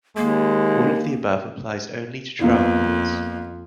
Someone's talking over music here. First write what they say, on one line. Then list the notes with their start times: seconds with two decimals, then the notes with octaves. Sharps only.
All of the above applies only to trial courts.
0.17 D#2 G#3 A#3
2.41 F2 A#3 B3 F4